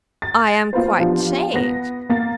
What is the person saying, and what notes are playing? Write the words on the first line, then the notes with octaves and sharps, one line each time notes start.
I am quite changed.
A6
A#3 F4 B4 C5
F3 B3 D4 F4 G4
B3 A#6
A#3 A6